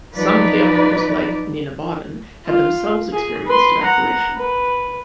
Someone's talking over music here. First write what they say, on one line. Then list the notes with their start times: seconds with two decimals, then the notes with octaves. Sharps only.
Some of the authors, like Nina Bawden, had themselves experienced evacuation.
0.15 F3 F#3 D#4 B4 D5
2.47 F4
3.13 G#4
3.47 B4 C6
3.83 F#5 A#5
4.36 B4